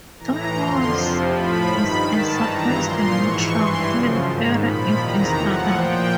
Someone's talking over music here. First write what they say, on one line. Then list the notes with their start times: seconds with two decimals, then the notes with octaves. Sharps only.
Three Mills is a surprisingly tranquil area in east London.
0.19 A2 E3 A#5
0.56 F2 D3 F3 C6
0.93 F2 C3 F3
1.30 A2 F3 B5
1.67 G2 D#3 B5
2.03 G#2 D#3 A5
2.40 G2 E3 A#5
2.77 A#2 F3 C6
3.14 G#2 E3 C#6
3.51 G2 E3 C6
3.88 F#2 C#3 F3
4.25 G#2 D#3
4.62 A#2 F3 B5
4.99 E2 C3 D#3 A#5
5.35 A2 F3 F#5
5.73 A#2 F3 G5